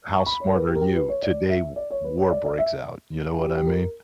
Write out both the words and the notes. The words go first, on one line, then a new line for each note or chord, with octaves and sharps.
how smart are you? Today, w war breaks out, you know what I mean?
C#6
B5
C#5
A#4
B4
G4
A#4
G4
B4
C#5
D5
E5
D5
C#5
B4
C#5
D5
D5
E5
G4
G4
A#4